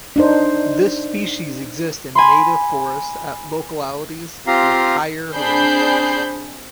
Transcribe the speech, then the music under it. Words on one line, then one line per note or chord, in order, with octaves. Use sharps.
This species exists in native forests at localities with higher rainfalls.
D4 D#4 C5
G#5 B5 C6
C4 F4 G4 F5 A#5
C4 D4 G#4 B5 G6 C7